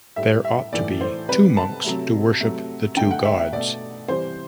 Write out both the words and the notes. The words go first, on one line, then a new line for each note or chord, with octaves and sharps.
There ought to be two monks to worship the two gods.
A2 G3 E5
E5
A2 E3 A3 D5
C5
C3 G3 B4
A5
C3 F#3 A3
C3 F#3 A3
D3 A3 G5
F#5
E5
E5
B2 A3 D5
C3 E3 G3 C5